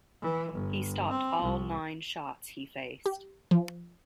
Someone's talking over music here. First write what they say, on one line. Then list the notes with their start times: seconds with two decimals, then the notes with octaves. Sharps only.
He stopped all nine shots he faced.
0.22 E3
0.53 G1
1.10 C4
1.43 C2
3.06 G4
3.51 F3